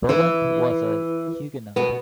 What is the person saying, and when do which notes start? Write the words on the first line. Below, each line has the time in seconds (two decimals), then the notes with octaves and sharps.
Bullant was a Huguenot.
0.09 E3 E4
1.76 B2 B3